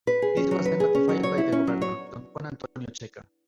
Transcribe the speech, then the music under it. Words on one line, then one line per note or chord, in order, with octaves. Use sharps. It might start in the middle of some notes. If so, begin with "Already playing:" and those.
This was then ratified by the Governor, D. Juan Antonio Checa.
B4
G#4
C#4
F#3
B4
G#4
C#4
F#3
C#5
E4
C#4
F#3
C#5